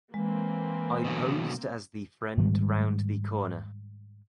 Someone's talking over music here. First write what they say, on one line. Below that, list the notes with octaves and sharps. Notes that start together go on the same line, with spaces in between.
I posed as the friend round the corner.
E3 G#3 A#3 C4
B2 D3 F#3
G#2 D#3 G3 G#3